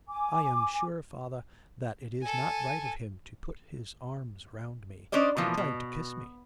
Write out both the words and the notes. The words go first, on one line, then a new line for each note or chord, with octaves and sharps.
'I am sure, father, that it is not right of him to put his arms round me--he tried to kiss me.
G#5 D6
A4 G#5
C#4 D4 C5 D5 D#5
B2 E3 F3 A#3
B2